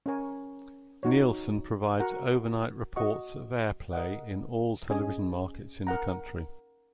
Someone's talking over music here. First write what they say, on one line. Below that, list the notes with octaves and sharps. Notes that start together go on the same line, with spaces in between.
Nielsen provides overnight reports of airplay in all television markets in the country.
C#4 A#4 C#5 G#5
D#4 F#4 C#5
F#4 A#4 F#5 A#5
F#4 D#5 F#5 C#6
A#4 D#5 F#5
C#4 G#4 D#5 G#5
A#4 F#5 A#5